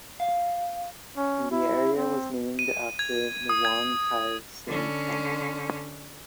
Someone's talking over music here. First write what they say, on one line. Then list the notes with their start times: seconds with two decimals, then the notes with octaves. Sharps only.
The area was named after the Wong Tai Sin Temple.
0.20 F5
1.17 C#4
1.51 E4
1.97 C4
2.59 D#7
2.99 G#6
3.49 D#6
3.65 G#6
4.67 D3 C#4